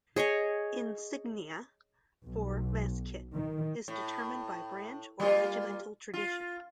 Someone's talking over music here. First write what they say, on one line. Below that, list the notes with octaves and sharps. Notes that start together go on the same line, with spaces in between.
Insignia for mess kit is determined by branch or regimental tradition.
G#4 C#5 D#5 G#5
B1
D#3
A2
G3 A#3 F4
F4